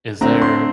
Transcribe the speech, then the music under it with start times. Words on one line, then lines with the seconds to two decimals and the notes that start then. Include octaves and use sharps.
is there
0.21 D3 A3 C4 A#5
0.42 C6